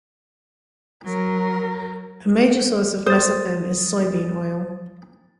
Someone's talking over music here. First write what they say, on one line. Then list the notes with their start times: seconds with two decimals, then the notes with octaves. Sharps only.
A major source of lecithin is soybean oil.
1.04 F#3 A#4
3.06 C5 D#6 A6